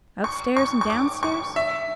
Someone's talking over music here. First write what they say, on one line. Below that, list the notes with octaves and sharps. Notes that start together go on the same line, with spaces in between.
Upstairs, and downstairs.
C#6
C#6
C#6
D6
C#6
E5